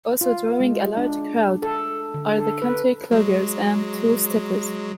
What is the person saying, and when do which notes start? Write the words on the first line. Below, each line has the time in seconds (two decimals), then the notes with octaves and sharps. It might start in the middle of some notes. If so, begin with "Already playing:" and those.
Also drawing a large crowd are the country cloggers and two-steppers.
0.21 F4
0.60 G#3
0.97 D4
1.62 A4
2.14 D3
2.38 A4
2.62 B4
3.11 F#3 G#3